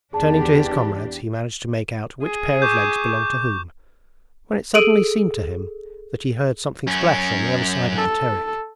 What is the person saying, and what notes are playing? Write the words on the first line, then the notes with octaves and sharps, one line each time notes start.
Turning to his comrades he managed to make out which pair of legs belonged to whom, when it suddenly seemed to him that he heard something splash on the other side of the Terek.
E2 D4 G4 G#4 A5
G#4
C#6 D6 G6
G#4 A4 D7 D#7
F#2 C#4
A4